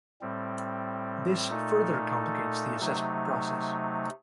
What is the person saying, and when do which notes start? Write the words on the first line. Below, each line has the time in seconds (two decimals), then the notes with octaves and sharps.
This further complicates the assessment process.
0.21 A2 G3 C4
1.50 A#2 A3 D#4 A4
2.80 C3 F#3 A3 D#4